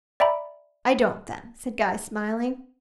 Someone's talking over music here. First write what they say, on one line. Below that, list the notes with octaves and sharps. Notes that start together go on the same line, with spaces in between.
'I don't, then,' said Guy, smiling.
D5 E5 G5 A#5 B5